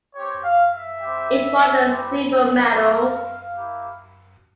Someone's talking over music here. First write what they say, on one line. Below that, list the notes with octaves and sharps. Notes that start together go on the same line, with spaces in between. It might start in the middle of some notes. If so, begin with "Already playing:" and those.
It won the silver medal.
C4 G4 C#5
F5
E5
G3 C4 G4
G3 C4 E4 G4
A#3 E4 G4 F5
A#3 E4 G4